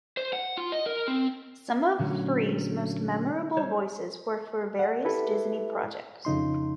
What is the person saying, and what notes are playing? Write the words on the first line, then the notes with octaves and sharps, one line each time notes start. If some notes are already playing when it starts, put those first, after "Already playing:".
Some of Frees' most memorable voices were for various Disney projects.
C5
F#5
F4
D#5
A#4
C4
A#2 D3 F#3 A3 C#4
G3 C5 C#5
F#5
E4 G4 A4 B4 E5 B5
F2 C#3 D#4 C6